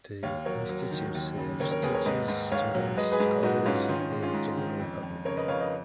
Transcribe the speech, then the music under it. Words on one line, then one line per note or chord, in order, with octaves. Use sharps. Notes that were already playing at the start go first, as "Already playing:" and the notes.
The Institute serves teachers, students, scholars, and the general public.
D#2 C#5 F5
F#3 A#4 C#5
F#3
D#3
D#2
C#3
D#2 A#4 C#5
A#4 C#5
D#2 G#4 B4
A#4 C#5
G#2 B4 D#5
G#2
G#2 C#5 F5
F#3
G#3 B4 D#5
G#4 B4
G#2
G#2 D#4 F#4
G#2 C#4 F4
D#3 C#4 F4
C#4
G#3
C#4 F4
G#2
D#3
F2
F2
C#3 A#4 C#5
B4 D#5
F2 C#5 F5
B4 D#5